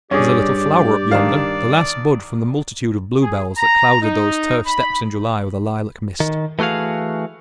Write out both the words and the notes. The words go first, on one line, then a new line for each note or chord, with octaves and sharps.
There's a little flower up yonder, the last bud from the multitude of bluebells that clouded those turf steps in July with a lilac mist.
G2 C#4 G4 G#4 D5
D#3 D4 F5
G#4
A#5
D#4
B5
D#3
E3 A3 F#4 G#4 F5